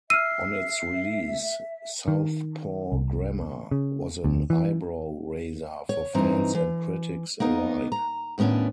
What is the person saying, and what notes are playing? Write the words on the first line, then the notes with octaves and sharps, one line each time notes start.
On its release "Southpaw Grammar" was an eyebrow-raiser for fans and critics alike.
E5 E6 F6 C7 D#7
D#3
C2
C#3
D2
E3
C#5
G2 E3 C4 D#4 A#5
E3
A#3 B3 D#4 D#5
A#5
D#2 A2 B3 C#4 D4